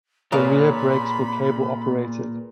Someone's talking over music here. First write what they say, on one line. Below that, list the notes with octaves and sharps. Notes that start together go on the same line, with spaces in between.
The rear brakes were cable-operated.
A#2 G#4 A#4 B4 C#5 D5 F5 B5